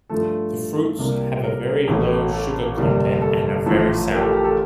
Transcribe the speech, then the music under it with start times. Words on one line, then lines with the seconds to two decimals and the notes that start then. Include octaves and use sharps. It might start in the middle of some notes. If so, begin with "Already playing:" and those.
The fruits have a very low sugar content and are very sour.
0.09 G2 F3 A3 A4
0.99 C2 C3 G3 A#3
1.43 A#4
1.88 A1 A2 A3
2.32 A4
2.77 G1 F2 C3 G3 A#3
3.22 A4
3.66 A1 A2 F3 A3 A4
4.11 A#4
4.16 G4
4.21 A4
4.33 G4
4.44 A4